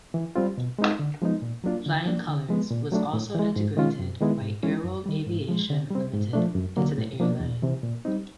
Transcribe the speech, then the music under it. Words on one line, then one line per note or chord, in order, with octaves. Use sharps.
Flying Colours was also integrated by Airworld Aviation Limited into the airline.
E3
G3 C4 F4
B2
G#3 C4 D#4
D3
F3 G#3 B3 D#4
A#2
F#3 A#3 D4 F4
D3
F3 A#3 D4
D3
F3 G#3 B3
A#2
F#3 A3 D4
A2
E3 G#3
G#2
D#3 G#3 C#4 F4
F#2
D#3 G#3 B3 E4
G#2
E3 G#3 C#4 E4
F#2
D#3 G3
G#2
F3 G#3
D3
G3 C4
G#2
F3 A3 D4
F#2
D3 F#3 A#3
A2
F3 A#3 D4
E2
C3 E3
A#2
G3 C4 D#4